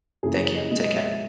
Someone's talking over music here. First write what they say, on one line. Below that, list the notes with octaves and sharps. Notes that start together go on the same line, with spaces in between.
Thank you. Take care.
F#1 F#2 C#3 E3 G#4
D#5
B1 B2 G#3 D#5
D#5
E5